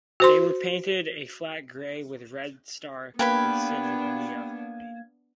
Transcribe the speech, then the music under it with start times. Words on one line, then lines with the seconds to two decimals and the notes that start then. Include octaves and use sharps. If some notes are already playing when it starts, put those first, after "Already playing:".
They were painted a flat gray with red star insignia.
0.20 F#4 C5 C6
3.19 A#3 B3 D4 G4 B4 F5 B5 G#6